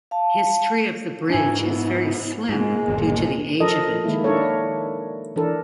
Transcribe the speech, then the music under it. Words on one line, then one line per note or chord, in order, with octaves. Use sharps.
History of the bridge is very slim due to the age of it.
F5 A5
G#2 D4 E4 G#5
B3 E4
G#2 G#3 A#3
G1 D#2 A#2
F3 A4 A#4 D#5
D#3 G#3 A#3 E4
D4 E4 A4 A#4 C#5
E3 D4 A4 A#4